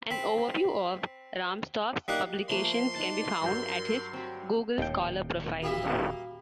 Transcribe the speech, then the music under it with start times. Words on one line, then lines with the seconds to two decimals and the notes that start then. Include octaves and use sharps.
An overview of Rahmstorf's publications can be found at his Google Scholar profile.
0.11 C4 B5
2.08 G3 A#3 D#4 F#5
2.50 F3 A3 A#3 C5 C6
2.96 D#4 D5 F#5 A5
3.42 G2 F#3 A#4 G6
4.13 C4 F#4 G4
4.78 D#1 D#2 A2 G5
5.62 A#3 F#4 G4 E5 F5 B5